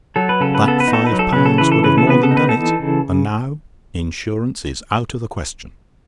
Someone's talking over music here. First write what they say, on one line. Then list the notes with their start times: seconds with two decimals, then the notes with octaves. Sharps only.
That five pounds would have more than done it--and now, insurance is out of the question.
0.16 F#3 A4
0.29 B4
0.40 C#3 A4
0.55 B4
0.64 B3 A4
0.80 B4
0.88 D#4
0.93 A4
1.06 B4
1.12 F#3
1.19 A4
1.33 C#3 B4
1.45 A4
1.58 E3 B4
1.72 A4
1.84 C#3 B4
1.98 A4
2.07 B3 B4
2.23 A4
2.31 D#4
2.37 B4
2.49 A4
2.56 E3
2.79 C#3